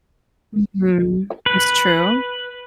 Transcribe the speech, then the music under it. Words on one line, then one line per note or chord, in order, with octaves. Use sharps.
Mhm. That's true.
B4